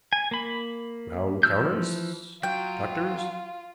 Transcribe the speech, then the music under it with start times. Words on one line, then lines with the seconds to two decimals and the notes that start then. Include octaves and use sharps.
Round counters--doctors.
0.13 G#5
0.31 A#3 B5
1.43 E3 F3 E6 F6 G6
2.43 F#3 F4 G5